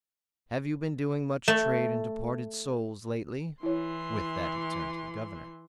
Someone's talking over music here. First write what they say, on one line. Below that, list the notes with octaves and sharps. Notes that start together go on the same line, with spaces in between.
"Have you been doing much trade in departed souls lately?" With that he turned to the Governor.
A3
E3 E4 C#5 C6